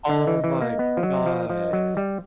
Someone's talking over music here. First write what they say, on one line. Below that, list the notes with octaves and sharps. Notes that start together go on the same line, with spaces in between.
Oh my god!
D3 D#5
E3
E3
A#3
B3
F3
F#3
F3
F3
F#3
G3